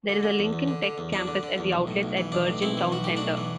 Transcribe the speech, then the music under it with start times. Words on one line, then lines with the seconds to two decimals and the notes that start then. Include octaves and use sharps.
There is a Lincoln Tech campus at The Outlets at Bergen Town Center.
0.09 D3
0.23 D3
0.39 E2
0.53 E2
0.68 D3
0.82 D3
0.98 E2
1.13 E2 D4
1.28 D3
1.43 D3
1.58 E2
1.73 B1
1.87 A2
2.03 B1
2.17 E3
2.32 B1 D4
2.47 A2
2.62 B1 C4 E4
2.77 E3
2.92 B1 F#4
3.04 A2 G4
3.17 D4 F#4
3.22 B1
3.37 E3